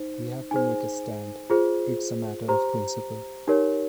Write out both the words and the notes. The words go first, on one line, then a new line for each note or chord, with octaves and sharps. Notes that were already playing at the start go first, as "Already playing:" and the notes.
We have to make a stand: it's a matter of principle.
Already playing: D#4 C5
D#4 G#4 C5 G#5
F4 G#4 C5
G4 C5 A#5
D#4 G4 A#4 C#5